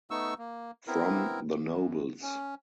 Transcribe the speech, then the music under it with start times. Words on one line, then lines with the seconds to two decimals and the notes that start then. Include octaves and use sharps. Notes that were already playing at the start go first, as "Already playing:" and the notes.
From the nobles.
0.11 A3 B3 D#4 C#6 E6
0.38 A#3
0.87 B3 C4 E4 A#4
1.70 F#2
2.22 C#4